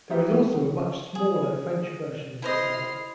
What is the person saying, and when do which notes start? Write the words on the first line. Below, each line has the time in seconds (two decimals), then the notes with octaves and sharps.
There is also a much smaller French version of the site.
0.10 D#4 F4 G4 E5
1.15 G#4
2.42 E4 C5 D#5 C6 F6